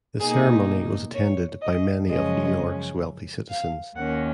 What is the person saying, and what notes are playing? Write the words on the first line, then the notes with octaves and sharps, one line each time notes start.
The ceremony was attended by many of New York's wealthy citizens.
B2 A#3 D#4 G#4
C#5
D#5
F#2 C#3 F3 G#3 C#4 D#5
F5
D#2 D#3 A#3 C#4 F#5